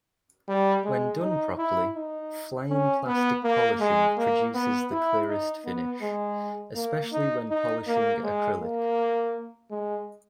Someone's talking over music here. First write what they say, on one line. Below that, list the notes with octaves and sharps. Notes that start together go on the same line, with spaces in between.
When done properly, flame plastic polishing produces the clearest finish, especially when polishing acrylic.
G3
G#3
D#4
E4
D#4
C#4
B3
A#3
G#3
A#3
B3
E4
D#4
B3
G#3
A#3
D#4
D#4
A#3
G#3
A#3
G#3